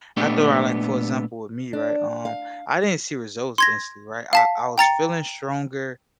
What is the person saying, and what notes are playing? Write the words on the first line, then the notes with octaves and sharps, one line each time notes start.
After I, like, for example, with me, right, um, I didn't see results instantly, right? I I was feeling stronger,
A#2 A3 B3 D4 G4
D4
F5
C6 G#6 A#6
F5 A5 B6
G5 A#5 A6 C#7